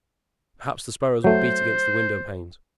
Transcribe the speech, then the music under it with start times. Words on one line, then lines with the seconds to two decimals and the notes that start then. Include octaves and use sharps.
Perhaps the sparrows will beat against the windowpanes!
1.24 F#3 A3 C5